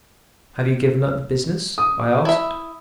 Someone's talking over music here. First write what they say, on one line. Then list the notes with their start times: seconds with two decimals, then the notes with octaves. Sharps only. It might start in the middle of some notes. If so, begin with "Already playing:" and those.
"Have you given up the business?" I asked.
1.78 D#6
2.25 E4 E5